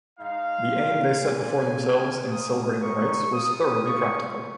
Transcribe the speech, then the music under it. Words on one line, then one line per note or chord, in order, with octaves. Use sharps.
The aim they set before themselves in celebrating the rites was thoroughly practical.
G#3 D#4 F5
A#3 F4
A#3 C#4 F4 G#5
A#3 F4
A#3 F4 D#6
A#3 D#4 C#6
A#3 F4 D#6
G#3 F4 C#6